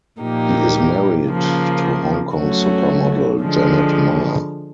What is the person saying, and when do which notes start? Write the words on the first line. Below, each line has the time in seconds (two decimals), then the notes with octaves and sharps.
He is married to Hong Kong supermodel Janet Ma.
0.21 A#2 F3 A#3 D#4 G4
1.29 C#3 F3 A#3
2.35 F#3 A3 C#4 F#4
3.42 D3 F3 G#3